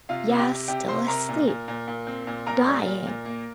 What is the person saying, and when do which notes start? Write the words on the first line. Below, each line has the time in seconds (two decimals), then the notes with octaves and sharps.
"Yes; still asleep--dying."
0.09 C3 F4 F5
0.29 C3
0.39 G4 G5
0.49 C3
0.68 C3 G4 G5
0.88 C3 C5 C6
1.08 C3 A#4 A#5
1.29 A#2
1.47 A#2
1.68 A#2
1.88 A#2
2.07 C4
2.27 A#2
2.46 A#2 A#4 A#5
2.67 G3
2.86 A#2
3.06 A#2
3.25 A#3